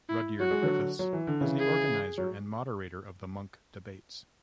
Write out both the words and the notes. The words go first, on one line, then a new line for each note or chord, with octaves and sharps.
Rudyard Griffiths is the organiser and moderator of the Munk Debates.
E4
F#3 F#4
G#3
D3 F#3
F#3
E3
D3
C#3 E3
G#4
F#3